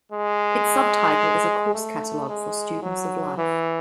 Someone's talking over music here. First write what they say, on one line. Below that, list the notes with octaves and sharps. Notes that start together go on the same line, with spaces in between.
Its subtitle is A Course Catalog for Students of Life.
G#3
A3
G#3
F#3
E3